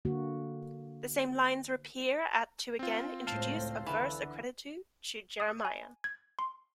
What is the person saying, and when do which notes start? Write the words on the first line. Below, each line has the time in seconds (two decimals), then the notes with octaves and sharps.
These same lines reappear at to again introduce a verse accredited to Jeremiah.
0.05 D3 A#3 F#4
2.79 C4 F4
3.27 C#2 A2 C5 F5 A5
3.86 D3 E3
5.40 D#6
5.65 G#5
6.04 G#6
6.39 C6